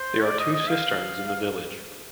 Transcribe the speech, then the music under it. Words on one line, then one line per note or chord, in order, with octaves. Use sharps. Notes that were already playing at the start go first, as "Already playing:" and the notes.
There are two cisterns in the village.
Already playing: C5
D5
D#5
D#5
F5